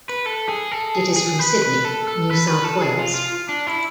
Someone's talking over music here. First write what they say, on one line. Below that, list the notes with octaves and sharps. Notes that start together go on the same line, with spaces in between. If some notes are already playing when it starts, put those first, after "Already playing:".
It is from Sydney, New South Wales.
B4
A4
G#4
A4
G#4
G#4
B4
B4
A4
A4
B4
B4
A4
G#4
F4
F4
D4
E4